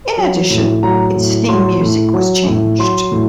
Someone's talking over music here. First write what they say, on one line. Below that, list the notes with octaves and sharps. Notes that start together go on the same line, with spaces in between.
In addition, its theme music was changed.
F#3
A2
F#3 A#5
A2
F#3 C6
A2
F#3
A2
F#3 C6
A2